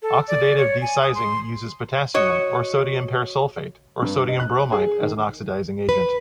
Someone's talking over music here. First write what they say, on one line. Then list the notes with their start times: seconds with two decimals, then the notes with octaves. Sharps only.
Oxidative desizing uses potassium or sodium persulfate or sodium bromite as an oxidizing agent.
0.02 A4
0.28 D5
0.57 C#5
0.82 G#5
1.02 D#6
1.15 C6
2.14 F#4 C#5 D#5
4.02 G2
4.28 D#5
4.40 F#6
4.72 G#4
5.01 D#3
5.89 B4